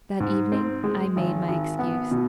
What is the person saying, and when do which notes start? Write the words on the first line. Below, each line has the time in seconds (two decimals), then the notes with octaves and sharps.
That evening I made my excuse.
0.20 G#2
0.52 C4
0.84 G#3
1.16 G#1
1.48 G#1
1.79 B3
2.11 B2